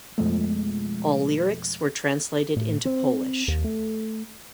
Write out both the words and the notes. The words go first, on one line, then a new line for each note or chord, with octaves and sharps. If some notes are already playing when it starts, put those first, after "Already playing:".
All lyrics were translated into Polish.
F2 B2 F3 G#3 A3
A2
C4
D#2
A3